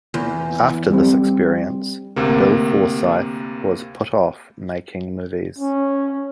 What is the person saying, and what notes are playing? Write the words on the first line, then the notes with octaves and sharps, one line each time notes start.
After this experience Bill Forsyth was put off making movies.
E2
G3 C4
D2 C3 A#3
C#4